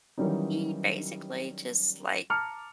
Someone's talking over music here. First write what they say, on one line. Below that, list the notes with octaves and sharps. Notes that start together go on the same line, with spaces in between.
he basically just like
D#3 E3 F#3 G3 C#4 D#4
A5 A#5 D6 F6 C#7